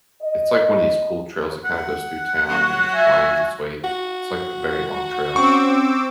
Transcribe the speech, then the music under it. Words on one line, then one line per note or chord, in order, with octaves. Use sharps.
it's, like, one of these cool trails that kinda goes through town and it winds its way it's, like, a very long trail,
D#5
F#5
F#3 F#4
E5 G#5
F#4
C4 C#4 C#6 D6 E6